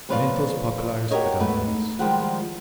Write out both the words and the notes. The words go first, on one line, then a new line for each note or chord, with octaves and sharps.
Cuentos Populars Catalans.
A#2 F3 B4 C#5 D5 F5
F#4 G4 A4 A#4 C#5 D#5
G#2 A3 B3 B4
D#4
D#3 F3 G3 G#3 G4 F#5